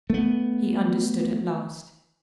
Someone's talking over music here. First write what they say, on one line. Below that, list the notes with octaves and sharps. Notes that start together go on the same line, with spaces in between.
He understood at last.
A3 B3